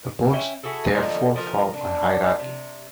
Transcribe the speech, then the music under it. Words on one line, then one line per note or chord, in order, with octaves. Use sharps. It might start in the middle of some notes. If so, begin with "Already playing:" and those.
The bones therefore form a hierarchy.
C#4 E4 G5
E4 F#4 G#4 A4
D3 F3 D#4
F3 A#4
D4
C3